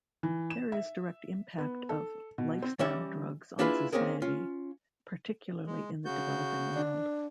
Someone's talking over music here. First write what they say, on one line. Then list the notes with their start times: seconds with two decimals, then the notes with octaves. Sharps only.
There is direct impact of lifestyle drugs on society, particularly in the developing world.
0.23 E3
0.50 E7
0.72 E5
1.58 B3
1.89 A4
2.38 B2
2.62 C4
2.79 E3 G3 C#4 D5 E5
3.59 A#3 D4 E4 F4 G#4 B4
3.92 A#3 C4 C#4 G#4 A#4
4.22 C#4 F4
5.67 G#3
6.05 C#3 F#4 G6
6.75 D4